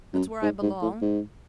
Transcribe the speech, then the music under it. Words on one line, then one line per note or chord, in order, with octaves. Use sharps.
That's where I belong!
F#2
G#2
G#2
A2
G#2